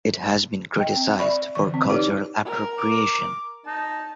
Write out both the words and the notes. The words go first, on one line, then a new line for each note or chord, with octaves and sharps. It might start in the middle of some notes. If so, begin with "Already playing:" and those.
It has been criticized for cultural appropriation.
D#5 G5
C4
D5 E5 B5 C#6
D3 E3 C#6
C4
D#4 E4 G4 B4 C#5 D5
A#4
D6
D#4 A5